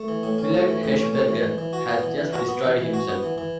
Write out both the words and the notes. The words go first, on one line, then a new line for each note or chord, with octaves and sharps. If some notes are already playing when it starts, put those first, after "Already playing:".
Willard Hershberger has just destroyed himself.
Already playing: A3
E3
A2
C#4
A3
E3
A2
C#4
A3
E3
E3
E3
F#4
B3
E3
E3
F#4
B3
E3
E3
F#4
B3
E3
E3